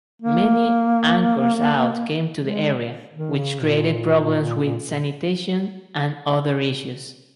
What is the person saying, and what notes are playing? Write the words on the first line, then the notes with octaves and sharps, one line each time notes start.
Many anchor-outs came to the area, which created problems with sanitation and other issues.
A#3
G#3
D#3
C#3
A#2